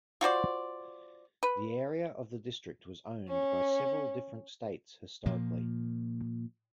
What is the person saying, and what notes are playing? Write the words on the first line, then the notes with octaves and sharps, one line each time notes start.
The area of the district was owned by several different states historically.
F4 F#4 C5 D5
B4
C#4
A#2 F3 A#3